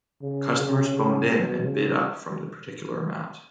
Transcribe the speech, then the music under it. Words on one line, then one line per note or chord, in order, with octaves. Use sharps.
Customers phoned in and bid up from the particular amount.
C#3
C#3
C#3
B2
C#3